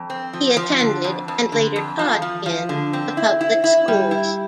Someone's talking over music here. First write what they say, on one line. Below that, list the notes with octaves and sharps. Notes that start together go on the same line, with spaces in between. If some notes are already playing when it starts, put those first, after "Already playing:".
He attended and later taught in the public schools.
Already playing: F2
C4
F3
F3
D3
F2
F2
D3
F2
F3
F3
F3
D3
C4
E4
E4
E4
G3
E4